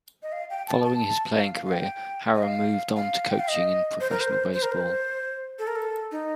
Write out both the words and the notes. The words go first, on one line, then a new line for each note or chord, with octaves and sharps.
Following his playing career, Harrah moved on to coaching in professional baseball.
D#5
F5
G5
A5
A5
F5
F5
F5
G5
D#5
F5
F5
G5
F5
D#5
C5
A#4
C5
C5
A#4
C5
A4
A#4
A4
D#4